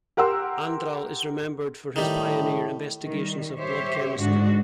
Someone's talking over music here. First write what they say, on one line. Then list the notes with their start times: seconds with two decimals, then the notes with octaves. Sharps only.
Andral is remembered for his pioneer investigations of blood chemistry.
0.17 G4 A#4 F#5 C6 E6
1.96 A2 D#3 G3
3.03 D#3 G3
3.56 G4 C5 C#5 E5
4.17 G#2 D3 G#3 D4 F#4